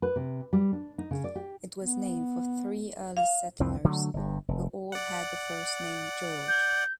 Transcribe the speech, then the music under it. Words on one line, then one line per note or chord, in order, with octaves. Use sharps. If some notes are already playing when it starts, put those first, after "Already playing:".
It was named for three early settlers who all had the first name George.
B4
C3
G3
D4
D#4
C#3
D5
G4
B3
F5
C2 F2 E3 C4
D3 F#3 A3
G1 G2
F1
D5 F#5
G6